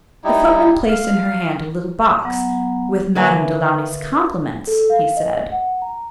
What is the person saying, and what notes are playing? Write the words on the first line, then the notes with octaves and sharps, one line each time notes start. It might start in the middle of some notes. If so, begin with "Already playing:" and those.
The footman placed in her hand a little box "with Madame du Launy's compliments," he said.
G3 D#4 E4
F5
F#3 B3 F#5 A#5
D3 A#3 B4 C#5 E5 G#5
A4
F5
D#5
F#5
A#5